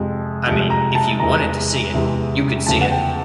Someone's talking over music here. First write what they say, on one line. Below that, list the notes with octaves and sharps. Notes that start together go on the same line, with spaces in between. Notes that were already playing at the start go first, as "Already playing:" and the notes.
I mean, if you wanted to see it, you could see it.
Already playing: F2 C3 F3 G#3
F2 C3 F3 G#3
A#5
A5
E2 C3 E3 G#3 A#5
E2 C3 E3 G#3
E2 C#3 F3 A3 A5
F#5
G5